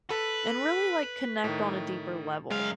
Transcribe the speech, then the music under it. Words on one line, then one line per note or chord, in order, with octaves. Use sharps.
and really, like, connect on a deeper level.
A4 B4
A2 D#3
F#2 G#3 F5